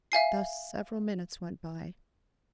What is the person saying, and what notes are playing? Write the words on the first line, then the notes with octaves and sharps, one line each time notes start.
Thus several minutes went by.
E5 F5 G#5 C7